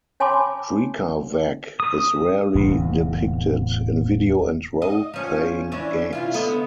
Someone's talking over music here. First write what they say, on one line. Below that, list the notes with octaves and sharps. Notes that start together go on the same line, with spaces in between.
Drekavac is rarely depicted in video and roleplaying games.
C#5 G#5 A5 B5 C6 D6
D#6
D1 E2 A2 C3
D#5
F3 C#4
E3 C#4 D4
C3 E4 F4
D3 B3 D#5